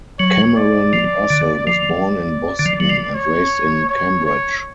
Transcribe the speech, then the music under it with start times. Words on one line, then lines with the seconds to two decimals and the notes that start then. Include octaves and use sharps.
Cameron Russell was born in Boston, and raised in Cambridge.
0.19 F#3 C#5
0.56 D5
0.93 F3
1.30 D3
1.67 F3 D5
2.59 D3
2.66 F3
2.80 F#3
2.89 F3
3.14 C#5
3.89 C#5
4.25 C#5